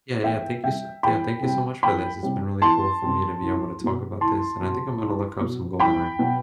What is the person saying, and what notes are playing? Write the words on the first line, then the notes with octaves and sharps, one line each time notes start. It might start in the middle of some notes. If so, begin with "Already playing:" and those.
Yeah, yeah, thank you s yeah, thank you so much for this; it's been really cool for me to be able to talk about this, and I think I'm gonna look up some "GoldenEye."
E2 E5 G5
C3 G3 E5 G5
E2 G5 B5
C3 G3
E2 G5 B5
C3 G3
E2 A5 C6
C3 G3
C2
B2 F#3
C2 A5 C6
B2 F#3
C2
B2 F#3
C2 G5 B5
B2 F#3